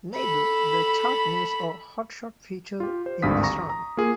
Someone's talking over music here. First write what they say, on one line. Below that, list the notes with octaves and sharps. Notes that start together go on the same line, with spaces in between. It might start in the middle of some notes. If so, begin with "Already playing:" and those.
Neither The Chart News or Hot Shot feature in this run.
A4 B5
F4 G4
C5
G#1 D2 G2 F5 D#6 B6
A#5 C#6 A#6
A#5
A#3 F4 G#4